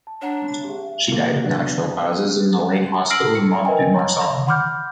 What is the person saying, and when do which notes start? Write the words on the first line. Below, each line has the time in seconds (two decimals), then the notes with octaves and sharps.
She died of natural causes in the Layné hospital in Mont-de-Marsan.
0.07 A5
0.22 D4 C#5 F#5 A#5
0.64 G4 G#4
1.07 A#2 A#3
1.43 F#3 B3 D4
3.10 E6 F6 A#6 C7 D7 F#7
3.35 C#7
3.65 A#4 B4 D#5 E5 G5 G#5
3.94 C#5 A#5
4.47 F#5 B5 C6 D6 F6 G6